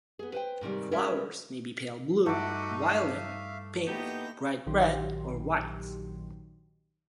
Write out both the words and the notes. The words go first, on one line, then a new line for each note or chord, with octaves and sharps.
Flowers may be pale blue, violet, pink, bright red, or white.
B3 G#4
B4 C5 G5
G#2 C3 D#3 G3
G3 G#3 C#4 F#4 A#4 E5
G2 A3 D#4 F#4 E5 F#5 D6
E5 F5
A#3 B3 D#4 E4 G4 G6 A#6
A#1 D#3 F#3 G4 C6